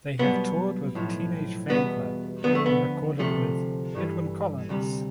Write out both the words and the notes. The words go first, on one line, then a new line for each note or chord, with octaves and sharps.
They have toured with Teenage Fanclub and recorded with Edwyn Collins.
B1 B2 G3 B3
B1 A2 F3
E2 B2 G3 B3
D2 D3 F3 B3
A3
B3
D2 C3 F3 A3
G2 E3 G3
D2 C3 G3